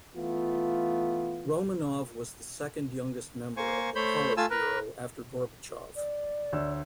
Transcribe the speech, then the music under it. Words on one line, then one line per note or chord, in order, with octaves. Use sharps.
Romanov was the second youngest member of the Politburo after Gorbachev.
E3 A3 B3 F4
A#3 C5 G#5 C#6
A3 C5 C#5 B5 G6
A3 F4 G#5 A5 E6
A#4 B4
D5
D2 C#5 E6